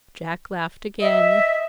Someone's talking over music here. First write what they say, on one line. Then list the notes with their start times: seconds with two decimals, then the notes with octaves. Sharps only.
Jack laughed again.
1.02 D#5 E5